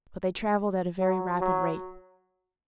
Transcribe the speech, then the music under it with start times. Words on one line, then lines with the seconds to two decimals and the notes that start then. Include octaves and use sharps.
But they travelled at a very rapid rate.
1.00 F#3
1.41 F#3